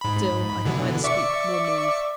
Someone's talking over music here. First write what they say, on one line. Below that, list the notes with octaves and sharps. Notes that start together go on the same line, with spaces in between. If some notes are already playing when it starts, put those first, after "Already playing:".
Still I could neither speak nor move.
G#2 B5
B2 D3 E3
D5 E5 C#6 C#7